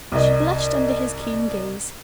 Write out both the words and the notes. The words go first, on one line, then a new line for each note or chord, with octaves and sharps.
She blushed under his keen gaze.
C2 D#5